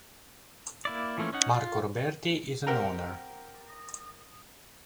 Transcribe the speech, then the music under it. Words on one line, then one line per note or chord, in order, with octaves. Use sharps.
Marco Roberti is an owner.
A#3 E4 D5
E3 F3 A3 A#3 C#4
C#4 D#4 F#5
F4
C4 G4 A#4 F#5 G5 A#5